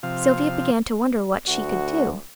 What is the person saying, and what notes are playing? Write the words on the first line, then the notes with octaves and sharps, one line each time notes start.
Sylvia began to wonder what she could do.
C3 F3 F5
D2 F#4